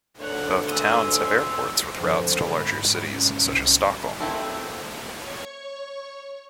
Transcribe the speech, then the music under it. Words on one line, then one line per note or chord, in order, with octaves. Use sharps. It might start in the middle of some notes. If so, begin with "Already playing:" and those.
Both towns have airports with routes to larger cities such as Stockholm.
D2 C#5 F#5
G#5 C6 D#6 E6 G7
C#5
F2 D3 C5
G#2 B5
C#4
C2
A3 C4 E4
C#5 C#6